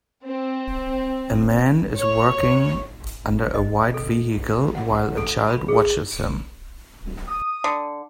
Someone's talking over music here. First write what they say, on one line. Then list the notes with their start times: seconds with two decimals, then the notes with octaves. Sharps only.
A man is working under a white vehicle while a child watches him.
0.24 C4
1.96 C#5
3.54 D#5
3.94 A4
4.75 F#5
4.95 F#5
5.17 A4
5.50 B5
5.68 G#4
7.28 D#6
7.64 D3